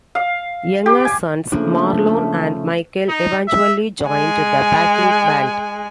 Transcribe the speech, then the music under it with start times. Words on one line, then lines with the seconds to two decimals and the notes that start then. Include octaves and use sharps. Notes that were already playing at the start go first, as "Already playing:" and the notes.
Younger sons Marlon and Michael eventually joined the backing band.
0.15 F5
0.86 G4
1.05 G#5
1.52 C#3 F3 A3 A#3 D4
3.09 D#4
3.48 E5
4.07 G#3 G#5